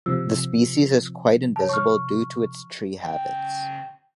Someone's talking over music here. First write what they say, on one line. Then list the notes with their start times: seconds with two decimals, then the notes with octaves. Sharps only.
This species is quite invisible due to its tree habits.
0.06 C3 F3 E6
1.56 C#5 A5
1.69 C#6 F6
3.01 C#3 G5